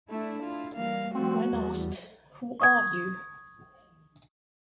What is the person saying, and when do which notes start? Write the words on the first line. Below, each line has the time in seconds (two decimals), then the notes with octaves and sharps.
When asked, Who are you?
0.10 A3 D4 E4
0.43 F4
0.76 E3 G3 A#3 F5
1.15 F3 G3 A3 C4 F#4
1.53 E2 G3
2.60 C#6 D#6 G#6